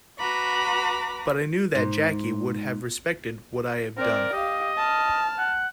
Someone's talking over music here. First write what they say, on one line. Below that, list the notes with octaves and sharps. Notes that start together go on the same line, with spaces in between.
But I knew that Jackie would have respected what I had done.
F#4 B4 A#5 B5 D6
G#2
C4 A#4 D5
G4 D#5 F5
A5 F6
F#5